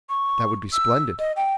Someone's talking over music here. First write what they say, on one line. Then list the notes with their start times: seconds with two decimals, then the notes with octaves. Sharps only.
"That would be splendid."
0.09 C#6
0.73 E6
1.19 D#5
1.36 G5